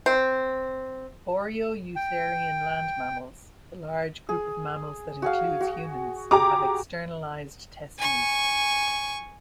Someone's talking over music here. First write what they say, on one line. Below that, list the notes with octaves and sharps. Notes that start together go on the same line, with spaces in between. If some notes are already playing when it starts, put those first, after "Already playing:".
Boreoeutherian land mammals, the large group of mammals that includes humans, have externalized testes.
C4
G5
G#4
F#4 G#4 F5
F#4
G4 G#4 A#5 D6
G#5 C#6